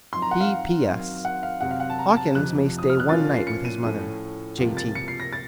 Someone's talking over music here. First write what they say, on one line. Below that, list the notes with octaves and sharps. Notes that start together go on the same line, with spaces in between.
P.P.S.--Hawkins may stay one night with his mother. J. T.
F#2 F3 C4 D#4 C6
A#5
F#5
F5
F#2 D#3 F#3 C4 F#4
F#5
F5
C3 F#3 C4 F#5
F5
F#5
A5
A#5
A5
F1 F2 C3 F#6
D#6
F6
F#6
A#2 F3 A#3 C#4 F4 A6
C7
C#7
D#7
A2 F3 A3 C#4
C#2 C3 F3 A#3
A6
C#7
C7
A#6
A6